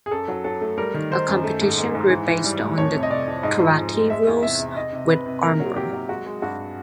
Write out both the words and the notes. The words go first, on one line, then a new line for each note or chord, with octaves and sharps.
A competition group based on the karate rules with armor.
G#4
F#2 A4
F#3
F#3 A4
A3
G3 A#4
D#3
D#3 C5
F#2
A3
G#2
G#2
G#2
E3
E3
G3
A2
F2 C#5
C3
D#5
C3 D5
F2
G#2 D#5
F3
G#2
G#3
G#3 E5
E2
C3 E5
C3
C3 D#5
C3
C3 B4
C3
A#2 A#4
F#3
F#3 G4
F#3
G#3 F#4
G#3
G2 F#4